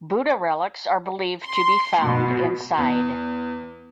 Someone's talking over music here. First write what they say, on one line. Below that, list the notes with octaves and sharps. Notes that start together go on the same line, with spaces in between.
Buddha relics are believed to be found inside.
C6
B2
E2